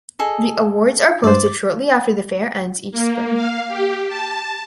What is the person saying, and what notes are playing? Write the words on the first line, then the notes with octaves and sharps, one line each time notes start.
The awards are posted shortly after the fair ends each spring.
G#4 A4 D#5
G2 C5 D5
A#3
F5
G4
A5